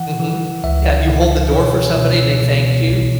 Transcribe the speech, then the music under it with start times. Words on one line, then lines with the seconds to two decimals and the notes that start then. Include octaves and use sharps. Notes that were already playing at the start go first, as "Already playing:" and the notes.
Mhm, yeah, you hold the door for somebody and they thank you.
Already playing: E3 F#5
0.20 E3
0.64 C#2 E5
1.08 E3
1.53 B2 C#5
1.97 B2
2.42 B2
2.86 B1